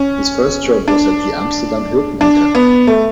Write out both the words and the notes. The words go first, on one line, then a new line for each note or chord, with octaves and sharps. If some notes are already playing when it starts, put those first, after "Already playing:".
His first job was at the Amsterdam Hilton Hotel.
Already playing: C#4
D4
D4
B3
A3